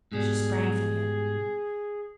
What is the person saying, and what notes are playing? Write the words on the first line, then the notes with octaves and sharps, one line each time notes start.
She sprang from him.
G#2 B2 G3 G#4